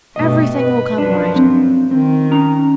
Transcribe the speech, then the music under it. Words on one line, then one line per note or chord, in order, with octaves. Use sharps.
Everything will come right.
G2 B2 A3 D#5
B4
F#2 F3 D4 B4
C4
D#3 C4
C#4 D#4 A#5